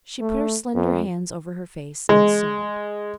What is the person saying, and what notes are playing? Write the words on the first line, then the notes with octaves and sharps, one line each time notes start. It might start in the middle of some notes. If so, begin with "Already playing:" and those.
She put her slender hands over her face and sobbed.
A3
F2
G#3